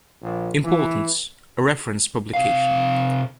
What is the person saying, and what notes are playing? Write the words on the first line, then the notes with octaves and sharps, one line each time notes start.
Importance: A reference publication.
A#1
E3
C3 F5